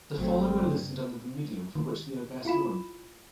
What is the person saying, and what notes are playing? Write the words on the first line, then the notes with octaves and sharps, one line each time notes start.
The following are listed under the medium for which they are best known.
G#1 F#3 A3 C4
G2 C#3
D#3
E4 F4 B5 E7